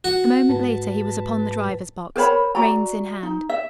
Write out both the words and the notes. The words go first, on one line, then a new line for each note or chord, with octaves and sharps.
A moment later he was upon the driver's box, reins in hand.
F#4
G#2 B4 A5
A#4 C5 C#5 B5
F#4 D5 E5 A#5
D#4
E5